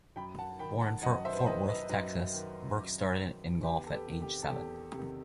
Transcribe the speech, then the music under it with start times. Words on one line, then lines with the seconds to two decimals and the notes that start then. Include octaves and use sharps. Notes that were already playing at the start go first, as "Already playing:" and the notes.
Born in Fort Worth, Texas, Burke started in golf at age seven.
0.16 F#2 G5 B5
0.39 F#5 A5
0.59 D#3 G5 B5
0.81 F#5 A5
1.03 F#2 D#5 F#5
1.25 C5 E5
1.33 B4
1.39 C5
1.46 D#3 B4 D#5
1.69 B4 D#5
1.90 F#2 B4 D#5
2.33 D#3
2.76 F#2
3.20 D#3
3.63 E2 G4 B4
3.87 A4
3.92 G4 B4
4.07 C3 D#3
4.22 G4
4.43 A4
4.50 E2 G4
4.94 C3 D#3